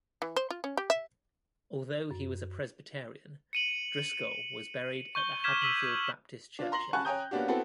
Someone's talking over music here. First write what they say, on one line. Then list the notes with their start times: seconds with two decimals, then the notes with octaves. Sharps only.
Although he was a Presbyterian, Driscoll was buried at the Haddonfield Baptist Churchyard.
0.22 E3
0.36 C5
0.50 F4
0.64 C#4
0.77 G4
0.90 E5
2.11 F#2
3.53 C#7 D#7 F#7
5.15 C#6 G6 G7
5.44 D6 F6 G6 G#6 B6 E7
5.62 E6 B6 D#7 F#7
6.59 D4 F4
6.72 A#5 C6 A#6 F#7
6.93 F#5 G#5 A5 B5 C#6 F#6
7.05 C#5 G5 G#5 A#5 D#6 G6
7.31 A#3 B3 C#4 D4 F#4 G4
7.48 B3 C4 E4 F#4 A4 B4